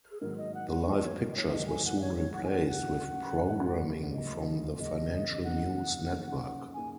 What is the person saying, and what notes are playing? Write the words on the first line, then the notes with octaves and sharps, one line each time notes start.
The live pictures were soon replaced with programming from the Financial News Network.
G#4
G#2 D#3 F#3 A#3 A#4
D#5
F#5
F#5
G#2 D#3 F#3 A#3 D#5
C#5
A#4
D#5
C#5
C#5
G#2 D#3 F#3 A#3 D#5
G#5
F#5
C#5
G#2 D#3 F#3 A#3 C#5
F#5
G#5
F#5
F#5
C#2 C#3 F#3 A#3 C#4
C#2 C#3 F#3 A#3 C#4
C#2 C#3 F#3 A#3 C#4 D#5
C#2 C#3 F#3 A#3 C#4 D#5
F#2 C#3 A#3 D#4 F#5
F#2 C#3 A#3 D#4
C#3 A#3 D#4 G#5